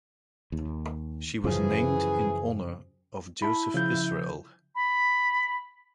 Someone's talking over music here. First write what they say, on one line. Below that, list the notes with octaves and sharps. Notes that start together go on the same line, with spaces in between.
She was named in honor of Joseph Israel.
D#2
F#2 C#3 E3 F3 G#4
E4 A5 B5
C#3 F3 G6
B5